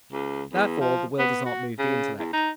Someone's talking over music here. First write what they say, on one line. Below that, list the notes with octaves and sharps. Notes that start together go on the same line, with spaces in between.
Therefore the will does not move the intellect.
C#2
E2
F3
B3
F#4
C#3
E2
D#4